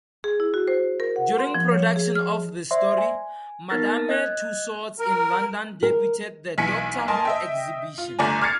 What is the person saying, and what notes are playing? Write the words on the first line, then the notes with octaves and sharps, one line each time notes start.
During production of this story, Madame Tussauds in London debuted the "Doctor Who Exhibition".
G#4
E4
F#4
C5
A#4
F#5
C6
F3
C#5
G#4
F6
C5 D5 E5 C6
G#5
B3 D#4 A#4 F6 A6 A#6
D#5 F#6 G#6
A#4
A#4
B1 E3 G#5 B6 C#7 D7
A#4 D#5 G#5 A5 C6
D#5 E5 G5
F4
G1 A3 D5 G#5 A#5
D6 F6 G#6 A6 C7 C#7